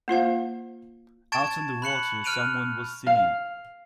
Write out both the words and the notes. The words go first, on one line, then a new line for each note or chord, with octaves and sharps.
Out on the water someone was singing.
A#3 F4 C5 F5
A5 C#6 G#6 A6 D7 E7
B5 F#6 C#7 F#7
F6 F#6 D7 D#7 F7
F5